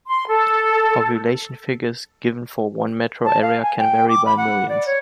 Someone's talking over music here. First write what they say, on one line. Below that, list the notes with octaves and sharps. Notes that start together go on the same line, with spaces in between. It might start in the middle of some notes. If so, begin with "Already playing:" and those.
Population figures given for one metro area can vary by millions.
C6
A4
A5
F5
G#5
G5
D6
B5
F#5
D5
C#5